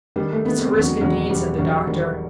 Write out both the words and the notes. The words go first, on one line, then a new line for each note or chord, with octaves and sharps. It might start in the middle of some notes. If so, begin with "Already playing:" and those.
"It's a risk indeed," said the doctor.
D#3 G3
A3
D#3 B3
C4
E1
F#3
E1 F#3
E1 G3
E1 F#3
D#3 G3